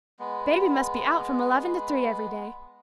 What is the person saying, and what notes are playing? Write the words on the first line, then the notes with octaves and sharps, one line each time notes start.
Baby must be out from eleven to three every day.
G#3 B3